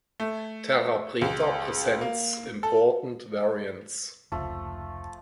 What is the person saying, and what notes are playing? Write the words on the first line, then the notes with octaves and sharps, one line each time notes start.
Terra preta presents important variants.
A3
C#2
A#3
A4
F1 C#2 F3 A3